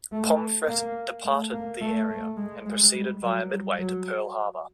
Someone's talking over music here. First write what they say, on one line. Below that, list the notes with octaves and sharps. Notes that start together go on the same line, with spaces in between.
"Pomfret" departed the area and proceeded via Midway to Pearl Harbor.
A3
A#3
A3
A#3
A3
A3
G#3
G#3
G3
F#3
G3
F#3